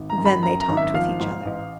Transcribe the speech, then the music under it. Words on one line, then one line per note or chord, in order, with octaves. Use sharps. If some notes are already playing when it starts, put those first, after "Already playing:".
"Then they talked with each other."
Already playing: G#1
A#5
F#2
B5
F#2 A#5
A#5
G#1
E5
F3 F5
G#2
A1